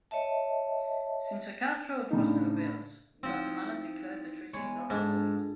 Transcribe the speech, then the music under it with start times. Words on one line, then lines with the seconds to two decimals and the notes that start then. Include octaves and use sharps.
Since the cart road was never built, Guatemala declared the treaty null and void.
0.11 C#5 D#5 E5 A5
2.11 A2 C#3 D4 D#4
3.23 F3 C4 D#4 E4
4.54 G#3 B3 C#5 D#5 B5
4.90 G#2 D4 F4 G#4 A4